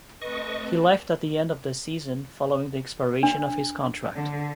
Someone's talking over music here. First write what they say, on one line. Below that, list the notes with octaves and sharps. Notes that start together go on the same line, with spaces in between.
He left at the end of the season following the expiration of his contract.
A3 C4 A4 B4 D#5 C#6
D4
D3